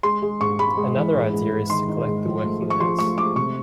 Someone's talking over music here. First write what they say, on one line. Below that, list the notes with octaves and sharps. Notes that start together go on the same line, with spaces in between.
Another idea is to collect the working mass.
G#3 C6
G#3
G#2 C#6
G#3 B5
G#3
E3
G#2
G#2
G#2
D#3 C6
D#3
G#2
F3
A3
F3
C#6
F3 C6
A3 C#6
A3 D6
C3 C#6